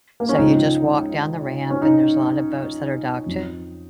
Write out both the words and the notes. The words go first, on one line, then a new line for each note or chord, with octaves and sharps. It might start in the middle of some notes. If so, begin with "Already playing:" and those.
So you just walk down the ramp and there's a lot of boats that are docked to
A#3
C#4
C#2 C#3 F3 D#4
C#4
D#4
F2 F3